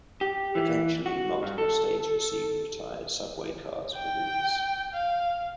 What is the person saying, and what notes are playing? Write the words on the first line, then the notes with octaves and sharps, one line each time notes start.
Eventually, multiple states received retired subway cars for reefs.
G4
E3
F#4
G2
A4
G5
F5